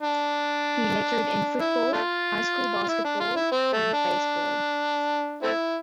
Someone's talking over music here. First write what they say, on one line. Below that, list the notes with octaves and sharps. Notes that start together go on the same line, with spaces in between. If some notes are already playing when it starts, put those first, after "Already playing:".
He lettered in football, High school basketball, and baseball.
D4
E4
A3 D4 F4
F4
E4
D4
F4
E4
C4
A3
D4
A3 C4 E4